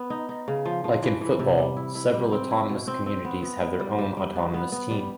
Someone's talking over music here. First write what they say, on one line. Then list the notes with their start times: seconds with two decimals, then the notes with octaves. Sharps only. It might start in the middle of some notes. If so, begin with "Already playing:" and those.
Like in football, several Autonomous Communities have their own autonomous team.
Already playing: B3
0.10 D#4
0.29 D#4
0.48 C#3
0.65 F3
0.84 F3
1.03 E3
1.21 E3
1.39 C3
1.58 G3
1.77 E4
1.95 E4
2.14 G3
2.32 C4
2.51 E4
2.69 B2
2.87 C4
3.06 C4
3.25 B3
3.42 B3
3.61 B3
3.80 G3
3.98 G3
4.17 G3
4.36 B3
4.54 B3
4.72 B3
4.91 G3